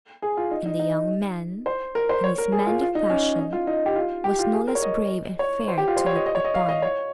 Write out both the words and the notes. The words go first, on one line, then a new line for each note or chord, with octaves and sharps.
And the young man, in his manly fashion, was no less brave and fair to look upon.
G#4
F4
D#4
D#4
D#4
C5
A#4
C5
C#5
A#4
G#4
F4
F4
D#4
C#4
D#4
F4
D#4
G4
F4
G4
F4
G#4
A#4
C#5
D#5
C#5
C5
G4
F4
C5
C#5
D#5
D#5
C#5
D#5
F5
D#5
C#5